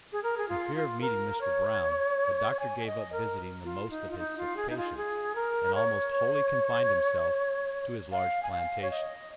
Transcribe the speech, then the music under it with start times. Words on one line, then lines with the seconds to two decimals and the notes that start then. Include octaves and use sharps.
In fear of meeting Mr. Brown, the doctor gave up visiting the most of his sick patients, and almost wholly confined himself to his large plantation.
0.12 G#4
0.23 A#4
0.37 G#4
0.48 F4
0.75 F4
1.01 A#4
1.41 C#5
2.59 G#5
2.86 D#5
3.12 A#4
3.64 F4
3.90 D#4
4.10 F4
4.18 D#4
4.37 F4
4.56 G#4
4.69 D#4
4.77 F4
4.97 G#4
5.35 A#4
5.74 C#5
8.11 F5
8.43 G#5
8.51 F5
8.82 C#5
8.91 D#5